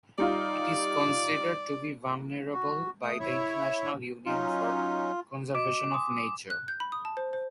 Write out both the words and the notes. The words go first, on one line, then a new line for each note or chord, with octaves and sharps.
It is considered to be vulnerable by the International Union for Conservation of Nature.
G3 D#4 F4 D5
F#4
A3 D#6
E4 C#5 E5
F#3 C#4 D#4 F4
F#4 D#5 D6 D7
G#5 C6 D#6
F#6
G6
B5
D#6
A5
C5
C5